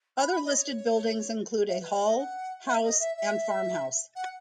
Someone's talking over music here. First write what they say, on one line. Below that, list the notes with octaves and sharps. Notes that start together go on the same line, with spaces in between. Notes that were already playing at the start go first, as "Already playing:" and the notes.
Other listed buildings include a hall, house and farm house.
B5
B5
D#5
C#5
E5
B4
C#5
D#5
F#5
E5
D#5
E5
E5
F#5